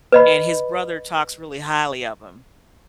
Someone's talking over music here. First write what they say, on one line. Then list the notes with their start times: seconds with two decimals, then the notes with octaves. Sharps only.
and his brother talks really highly of him,
0.12 B4 D#5 B5